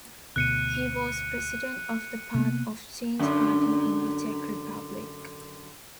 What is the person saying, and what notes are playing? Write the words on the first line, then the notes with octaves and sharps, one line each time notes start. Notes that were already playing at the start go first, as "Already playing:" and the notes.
He was president of the Path of Change party in the Czech Republic.
D2 B2 F#6 C#7 D#7
C3 A#3 B3
F#2 D3